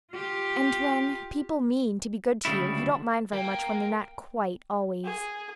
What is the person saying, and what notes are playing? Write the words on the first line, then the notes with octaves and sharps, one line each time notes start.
And when people mean to be good to you, you don't mind very much when they're not quite--always.
F4 G4
D2 G2 C#3 G3 E4
A#3 G5
G#4